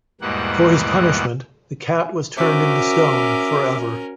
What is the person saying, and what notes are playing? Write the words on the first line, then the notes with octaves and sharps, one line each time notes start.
For his punishment, the cat was turned into stone for ever.
E2 G#2 B2 G3 A#3 F#5
C#4 F#4 A#4 C5 E5 D6